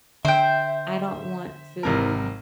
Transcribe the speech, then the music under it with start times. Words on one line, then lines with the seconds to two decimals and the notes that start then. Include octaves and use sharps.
I don't want to
0.25 D3 C5 E5 G5
1.83 G#1 C3 A#4